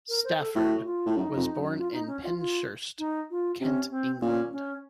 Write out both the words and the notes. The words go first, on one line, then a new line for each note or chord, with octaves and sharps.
Stafford was born in Penshurst, Kent, England.
A#4
C5
A4
A2 F#4
F4
A2
F#2 D#4
F2
F#2
F4
D#4
C#4
F4
F4
D#4
F4
C3 C#4
C4
A#2 C#4
C#4